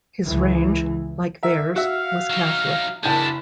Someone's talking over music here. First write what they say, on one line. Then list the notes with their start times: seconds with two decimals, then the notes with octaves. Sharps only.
His range, like theirs, was catholic.
0.24 C#2 E3
1.43 A#4 E5
1.76 F#4 E5 F5
2.30 F#3 D#4
3.03 F#1 E3 G#3 D4 E4 F#4 A5 G6